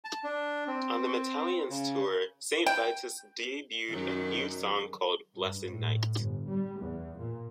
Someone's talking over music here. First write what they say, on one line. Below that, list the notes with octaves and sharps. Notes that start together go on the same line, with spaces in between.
On the Metalliance Tour, Saint Vitus debuted a new song called "Blessed Night".
A5
D4
C4
C#3
G5
F#2 D#3 F#3
G2
A2
G1
G3
E2
A#2